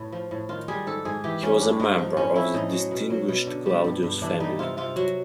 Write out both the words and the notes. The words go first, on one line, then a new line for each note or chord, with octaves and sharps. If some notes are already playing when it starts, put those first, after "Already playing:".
He was a member of the distinguished Claudius family.
Already playing: A2 B4
F3
A2
D#3 F4
G3 G#4
G#2 A4
G#2 G#4
E3 G4
G3 C#4
G2 D4
G2 D#4
F3
A2 C#4
F3 E4
A2 D#4
F#3
B2
F#3
B2
D3
G3
G2
G2
E3 D4
G3 D#4
C3 F4
C3 F4
F#3 F#4